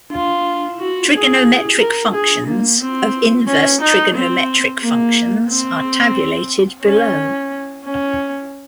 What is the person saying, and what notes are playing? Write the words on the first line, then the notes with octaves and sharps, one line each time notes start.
Trigonometric functions of inverse trigonometric functions are tabulated below.
F4
F#4
G#4
A#4
G#4
A#3
C4
C#4
D#4
C4
A#3
C4
C#4
C#4